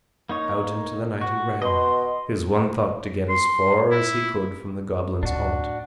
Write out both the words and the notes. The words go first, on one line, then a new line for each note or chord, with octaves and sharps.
Out into the night he ran, his one thought to get as far as he could from the goblin's haunt.
A#3 D#4 C#5
F#4
B2 D#5 C6
C6
E4
D2 A2 D4 F#4